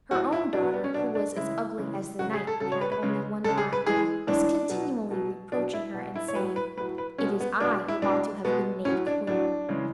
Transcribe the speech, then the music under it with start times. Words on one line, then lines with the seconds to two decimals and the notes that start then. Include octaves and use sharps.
Her own daughter, who was as ugly as the night and had only one eye, was continually reproaching her, and saying, "It is I who ought to have been made queen."
0.11 A2 F#3 F#4
0.33 E4
0.53 B2 F#3 D4
0.63 B3
0.73 B3
0.84 C#4
0.94 B2 D4
0.98 F#3
1.15 D4
1.36 C#3 E3 G#3 E4
1.78 C#3 E3 G#3
2.19 C#3 F#3 F#4
2.33 G#4
2.47 A4
2.60 C#3 F#3 A4
2.72 C#5
2.81 B4
2.92 B4
3.03 C#3 G#3
3.44 G#3 A4
3.49 C#3
3.58 G#4
3.73 B4
3.86 A2 E3 G#3 G#4
4.27 A2 E3 G#3 D4
4.69 B2 F#3
5.11 B2 F#3
5.52 B2 D4
5.57 F#3
5.73 E4
5.94 B2 F#3
6.16 E4
6.28 C#5
6.35 F#3 B4
6.40 A2
6.56 B4
6.77 A2 B4
6.81 F#3
6.98 B4
7.18 B2 G#3 C#4
7.40 B3
7.60 B2 G#3 D4
7.88 E4
8.02 B2 G#3 D4
8.45 B2 G#3 B3
8.85 A2 F#3 C#4
9.07 D4
9.27 A2 F#3 D4
9.69 C#3 E3 G#3